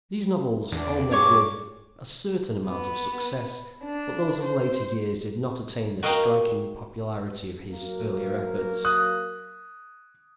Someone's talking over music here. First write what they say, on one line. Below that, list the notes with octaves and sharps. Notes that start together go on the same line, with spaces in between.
These novels all met with a certain amount of success, but those of later years did not attain the striking popularity of his earlier efforts.
E2 D4 D5
G2 G#4 C#5 C#6 D6
B3
D4
C5
F#4 A#4 D#5 F5 G5
F#3 A#3 A#4
D#6 F#6